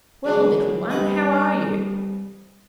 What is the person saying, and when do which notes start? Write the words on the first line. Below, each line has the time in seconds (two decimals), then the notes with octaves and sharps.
'Well, little one, how are you?
0.25 C#3 F#3 G#3
0.90 C2 G3 B4 D#5